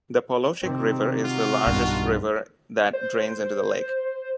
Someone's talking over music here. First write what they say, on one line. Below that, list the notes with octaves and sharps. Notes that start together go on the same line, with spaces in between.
The Polochic River is the largest river that drains into the lake.
C3 D#3 C4
F4 F#4
B1 E2 G2 D#3
C5